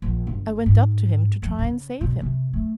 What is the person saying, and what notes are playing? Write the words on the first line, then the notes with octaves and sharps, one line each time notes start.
I went up to him to try and save him.
A#1
G1
G#2
F2
C#3
B2
C3
A3